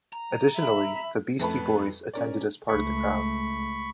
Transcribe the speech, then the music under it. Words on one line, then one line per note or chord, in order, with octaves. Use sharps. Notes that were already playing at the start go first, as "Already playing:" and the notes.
Additionally, the Beastie Boys attended as part of the crowd.
A#5
E5 B5
F2 A3 B4 A5 B5
C#4 A#4 D5
C#2 A3 B5 C#6